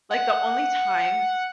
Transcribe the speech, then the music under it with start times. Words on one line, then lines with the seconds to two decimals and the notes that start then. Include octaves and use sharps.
Like, the only time
0.11 F#5